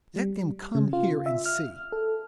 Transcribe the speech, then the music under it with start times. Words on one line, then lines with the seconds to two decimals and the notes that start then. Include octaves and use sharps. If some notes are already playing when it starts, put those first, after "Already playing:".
Let them come here and see.
0.16 G3
0.75 C#3
0.93 F4
1.26 E5
1.46 F6
1.92 A4